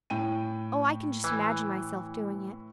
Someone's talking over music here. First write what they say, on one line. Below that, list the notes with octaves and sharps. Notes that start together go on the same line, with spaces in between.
Oh, I can just imagine myself doing it.
A2 G5 D#7
E3